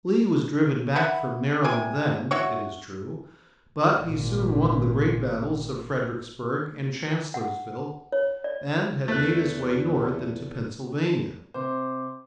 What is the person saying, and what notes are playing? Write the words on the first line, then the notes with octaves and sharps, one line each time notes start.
Lee was driven back from Maryland then, it is true, but he soon won the great battles of Fredericksburg and Chancellorsville, and had made his way north into Pennsylvania.
E5 F#5 B5
C3 G#5
E4 F#4 C#5 C#6
G#1 A#2
F#5
C#5
D5
E2 A3 A4 F#6
C3 C5 C6 D6